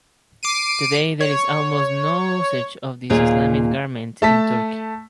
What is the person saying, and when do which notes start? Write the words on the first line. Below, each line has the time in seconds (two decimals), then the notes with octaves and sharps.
Today there is almost no usage of this Islamic garment in Turkey.
0.43 D6 C7 D7 D#7
1.20 C#5
3.10 D#2 A#2 F4 G#4
4.22 A3 A5 B6